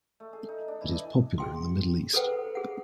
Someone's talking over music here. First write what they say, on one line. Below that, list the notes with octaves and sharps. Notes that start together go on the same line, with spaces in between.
It is popular in the Middle East.
A3
G#4
D#4
D4
E3
D#5
G#4 G5 C6
G#4 A4 B4 C5 F#5 G5
G#4 F#5